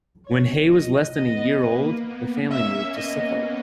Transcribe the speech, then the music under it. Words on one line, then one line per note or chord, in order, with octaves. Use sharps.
When Hay was less than a year old the family moved to Suffolk.
C#5
D#5
B3 D#5
A#3 B4
B3
A#3 C#4 E5
B3 D#5